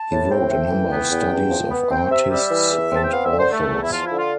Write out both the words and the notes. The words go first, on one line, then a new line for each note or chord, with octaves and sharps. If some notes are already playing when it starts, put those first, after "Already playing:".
He wrote a number of studies of artists and authors.
Already playing: A5
A2
C4 G5
A3
E3
B3
E2
E2
F3
B3
C4 G5
C3 E5
G3 E5
E3
E2
C4
A5
G5
B3 F5
E5
D3
C5
A3
E2
E4
F3 F4
E4
D3
F4